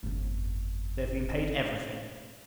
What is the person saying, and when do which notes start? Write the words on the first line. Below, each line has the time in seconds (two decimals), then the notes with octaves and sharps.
They have been paid every thing.
0.03 G1 F2